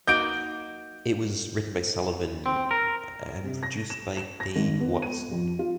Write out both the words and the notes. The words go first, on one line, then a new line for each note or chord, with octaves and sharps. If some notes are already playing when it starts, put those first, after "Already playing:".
It was written by Sullivan and produced by Dave Watson.
A#3 D#4 F#4 G6 D7
C4
A#4
C3
A#6
E7
E7
A#6
G#1
B3
D#7
F2
F4